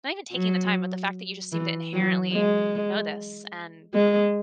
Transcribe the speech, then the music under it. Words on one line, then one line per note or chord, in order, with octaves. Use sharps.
not even taking the time, but the fact that you just seem to inherently know this and
F#3
E3
F#3
G#3
G#3